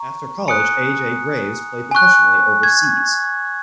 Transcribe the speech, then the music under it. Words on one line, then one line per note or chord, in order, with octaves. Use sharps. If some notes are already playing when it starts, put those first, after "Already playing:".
After college A. J. Graves played professionally overseas.
Already playing: A#5 C#6
G#5 D#6 F#6 C#7
G#5 C#6 F#6
G#6